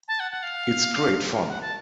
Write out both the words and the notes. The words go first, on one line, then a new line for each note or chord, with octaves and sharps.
It's great fun.
A5
F#5
F#5
F5
F#5
A5